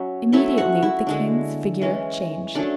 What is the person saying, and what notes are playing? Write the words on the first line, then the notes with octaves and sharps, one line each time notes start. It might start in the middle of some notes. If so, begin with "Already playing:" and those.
Immediately the king's figure changed.
Already playing: F#3 C#4 E5
F#3 A3 C#4 E4 E5
F#4 F#5
E4 E5
D3 G#3 D4
E3 G#3 C#4
F#3 A3 C#4 D4 D5